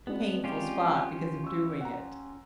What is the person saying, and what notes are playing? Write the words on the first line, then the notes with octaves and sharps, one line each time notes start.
painful spot because of doing it.
G#3 B3 C4 D4
C#4 F4 G4
C#6 E6
F#5 A#5